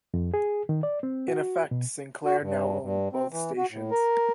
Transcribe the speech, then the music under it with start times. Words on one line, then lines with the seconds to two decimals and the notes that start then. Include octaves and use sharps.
In effect, Sinclair now owned both stations.
0.14 F2
0.34 G#4
0.69 D#3
0.83 D5
1.03 C4
1.28 F#4
1.71 B2
2.25 F#4
2.41 G2
2.82 G2
3.13 C4
3.31 E3
3.58 F#4
3.71 A2
3.91 A#4